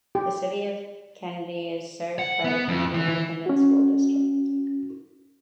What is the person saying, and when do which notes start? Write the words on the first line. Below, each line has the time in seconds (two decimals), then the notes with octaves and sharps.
The City of Kenedy is served by the Kenedy Independent School District.
0.15 G4
2.19 F#5
2.45 B3
2.68 F2
2.94 E3
3.08 E3
3.46 C#4 F#4